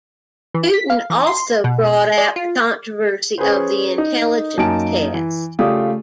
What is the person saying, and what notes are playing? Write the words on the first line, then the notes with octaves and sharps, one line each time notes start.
Hooton also brought out the controversy of the intelligence test.
E3
B6
F5
E3
C6
B2
D5
F4
C#4 G#4 B4 C5
D#4
F#2 A#3 D#4 A5 D7
E3
C#3 A3 F4 G4 D5 D#6